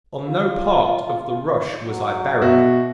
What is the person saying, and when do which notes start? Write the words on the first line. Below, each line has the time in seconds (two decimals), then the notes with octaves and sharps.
On no part of the rush was I buried.
0.28 F4
1.83 F#3
2.41 B2 F#4 E5